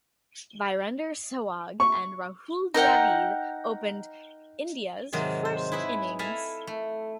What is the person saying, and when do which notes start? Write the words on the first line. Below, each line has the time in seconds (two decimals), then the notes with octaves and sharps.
Virender Sehwag and Rahul Dravid opened India's first innings.
1.80 C#6
2.74 D#4 A#4 F#5 G5
5.13 G#2 C3 D#3 F#3 G#3
5.45 C5
5.72 E4 G#4 B4 E5
6.19 E4 A4 E5 F5 G#5 A#5
6.67 A3